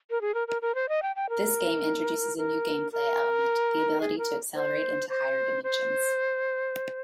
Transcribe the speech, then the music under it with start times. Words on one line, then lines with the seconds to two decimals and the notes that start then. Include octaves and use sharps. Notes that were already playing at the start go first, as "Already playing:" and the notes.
This game introduces a new gameplay element: the ability to accelerate into higher Dimensions.
0.11 A#4
0.21 G#4
0.34 A#4
0.48 A#4
0.62 A#4
0.75 C5
0.89 D#5
1.02 G5
1.16 G5
1.29 A#4
2.38 A#4
2.92 A#4
4.01 G#4
4.18 A#4
4.55 C5
5.09 C5
5.64 C5